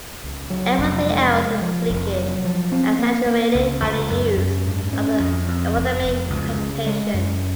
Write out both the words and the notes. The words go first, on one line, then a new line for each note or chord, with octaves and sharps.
Everything else is leakage, exaggerated by the use of a logarithmic presentation.
C#2
F#3
F1
G#3
G#3
F3
F1
F#3
F3
C4
A#3
A#3
C#2
C#2
F#2
F#2
G#2
C#4
F2
F2
F1
F1
C#2
C#3
G#3
F#2